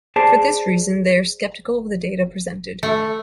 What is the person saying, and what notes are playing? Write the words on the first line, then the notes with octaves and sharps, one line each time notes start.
For this reason, they are skeptical of the data presented.
G#4 C5 D5 A5
A3